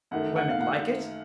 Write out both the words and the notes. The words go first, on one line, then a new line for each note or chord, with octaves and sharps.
"Women like it."
F#2 D#3 A3 F#5
F#5
F5
F#5